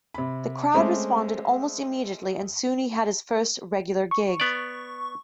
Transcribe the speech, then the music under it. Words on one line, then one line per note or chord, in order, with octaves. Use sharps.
The crowd responded almost immediately and soon he had his first regular gig.
C3 B5
G#3 A3 C4 C#4 E5 D6
C#6
B3 D5